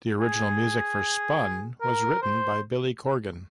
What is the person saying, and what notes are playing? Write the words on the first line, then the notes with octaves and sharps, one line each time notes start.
The original music for "Spun" was written by Billy Corgan.
G#4
A#4
C5